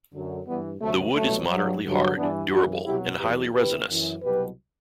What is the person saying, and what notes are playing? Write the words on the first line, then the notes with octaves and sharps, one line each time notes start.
The wood is moderately hard, durable and highly resinous.
F#2 D3 F#3
G2 E3 G3 B3
D2 C3 F#3 A3
C2 B2 F#3 A3
G2 F#3
G2 D3 F#3
G2 E3 B3 D4
F#2 E3 D4 F#4
C2 B2 F#3 E4 G4
E2 B2 F#3 G4 B4
D2 C3 E3 G4 B4
F#2 E3
C2 B2 F#3 G4 B4